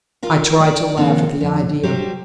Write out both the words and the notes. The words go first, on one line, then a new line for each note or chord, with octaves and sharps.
I tried to laugh at the idea.
F4 A#4 F5
A3 D5
D#3 F3 A#3 C4 D4
F2
F#3 G3 G4 C5